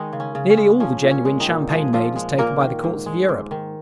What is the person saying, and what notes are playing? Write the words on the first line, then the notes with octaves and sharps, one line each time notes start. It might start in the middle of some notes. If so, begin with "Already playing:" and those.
Nearly all the genuine champagne made is taken by the courts of Europe.
Already playing: D#3 G#3 D#4
C#3
C#4
C#3
C#4
G#3
F3 C#4
A#2
C#4
G#3
D#3 D#4
A#2
F3 G#3 G#4
A#2 F3 F4
G#3
A#2 A#3 A#4
D#3
G#2
G#3
G#2
D#3